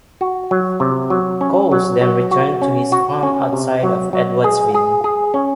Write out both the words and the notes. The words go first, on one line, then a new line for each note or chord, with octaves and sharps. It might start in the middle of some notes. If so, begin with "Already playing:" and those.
Coles then returned to his farm outside of Edwardsville.
F#4
F#3
C3
F#3
C#4
F#3
F#3
F#4
C#4
F#4
C#4
C3
F#3
F#3
G#4
G#4
G#4
C#4